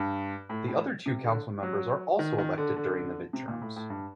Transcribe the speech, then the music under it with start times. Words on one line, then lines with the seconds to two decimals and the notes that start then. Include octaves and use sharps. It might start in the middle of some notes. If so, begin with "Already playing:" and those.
The other two council members are also elected during the midterms.
Already playing: G2
0.49 A2
0.68 A2
1.06 C3
1.24 D3
1.63 F#3
2.19 D#3
2.38 D#3
2.58 D3
2.76 D3
3.33 C3
3.48 A#2
3.62 A2
3.76 A2
3.90 G2